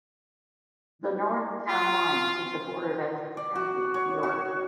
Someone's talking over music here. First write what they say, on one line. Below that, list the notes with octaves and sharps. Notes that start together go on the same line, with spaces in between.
The north town line is the border of Essex County, New York.
F4
D5
F#4
C#5
F#4